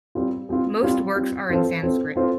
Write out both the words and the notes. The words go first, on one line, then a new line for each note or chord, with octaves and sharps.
Most works are in Sanskrit.
G3 C4 F4
G3 C4 F4
G3 C4 F4
G3 C4 F4
C4 F4 A4 C5
C4 F4 A4 C5
C4 F4 A4 C5